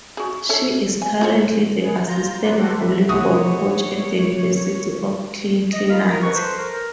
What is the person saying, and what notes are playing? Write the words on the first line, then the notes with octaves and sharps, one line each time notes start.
She is currently the assistant volleyball coach at the University of Cincinnati.
F#4 G#4
A4 C#5 E5
G#5
F4 G#4 C#5
B3 G#4
F4 A#5 G6
D4 D#4 F4 A#4 B4 D5
F#4 G4 A4 A#4 C5 F#5
E5
C3 E3 A3 F#4 C#5 D#6
D#5
A#3 F4 F5 B5 F6
A#4 D#5
F2 B4 C#6
A4 B4 C5
A#4